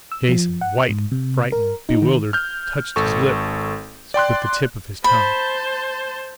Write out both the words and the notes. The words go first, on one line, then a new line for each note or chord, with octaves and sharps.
Jason, white, frightened, bewildered, touched his lips with the tip of his tongue.
E6
F3
F#5
G#2
C3
A#4
D#4
D#3
F6 G6
G#1 A4 C#6
D5 G5 C6 F#6
C5 A5 B5